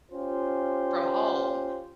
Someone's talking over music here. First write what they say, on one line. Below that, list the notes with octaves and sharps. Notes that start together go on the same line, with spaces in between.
from home
C#4 F4 G4 C5